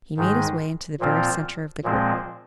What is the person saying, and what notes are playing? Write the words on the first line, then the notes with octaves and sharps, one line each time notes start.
He made his way into the very centre of the group.
G#2 D#3 G#3
A#2 F3 C4 F4
A#2 F3 G#3 C4